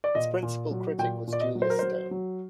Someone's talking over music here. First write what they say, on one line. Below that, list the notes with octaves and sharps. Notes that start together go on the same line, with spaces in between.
His principal critic was Julius Stone.
D5
A#2 D#5
A#2
F#3
A#2 G5
A#2
D5
D#5
F#3
C5
A#4
F#3 C5
F#3